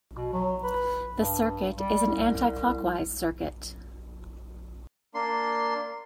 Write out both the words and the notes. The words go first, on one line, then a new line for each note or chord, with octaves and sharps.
The circuit is an anticlockwise circuit.
B2
F#3
B4
G2
G3
C2
A#3 D4 C6